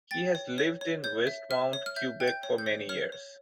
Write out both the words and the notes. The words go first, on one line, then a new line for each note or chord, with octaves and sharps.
He has lived in Westmount, Quebec for many years.
G5 A6
C#5
C#5
C#5
C#5 G6
E5
E5 F6
C#5
F6
E5 G6
G5
G6
C#5
G6
C#5
C#5 F6
C#5